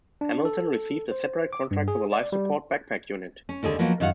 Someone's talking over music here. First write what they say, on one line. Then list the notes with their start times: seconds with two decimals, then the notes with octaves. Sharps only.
Hamilton received a separate contract for the life support backpack unit.
0.21 D4
0.45 A4
1.11 C5
1.53 D6
1.71 G2
1.88 G#4
2.12 D5
2.32 G3
3.49 C#4
3.63 D#2 D3 G3 G#4
3.79 F3 F#3 A#3 B3
4.00 F#2 D#3 F#4 F5 F#5